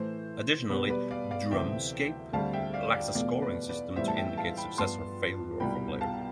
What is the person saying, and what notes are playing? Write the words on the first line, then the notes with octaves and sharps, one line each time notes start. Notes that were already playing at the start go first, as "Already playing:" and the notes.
Additionally, "Drumscape" lacks a scoring system to indicate success or failure of a player.
Already playing: A2 E3 A3 C5
B2 G3 B3 G4 B4
B4 D5
D5 F5
D5 F5
D2 C3 E3 A3 C4 E5 G5
D2 D3 G3 C4 F5 A5
E5 G5
D5 F5
D5 F5
E2 B2 A3 D5 F5
B4 D5
B4 D5
A2 E3 G3 B3 C5 E5
A5
E5 G5
F5 A5
G5 B5
G2 F3 B3 A5 C6
C2 B2 G3 G5 B5
F5 A5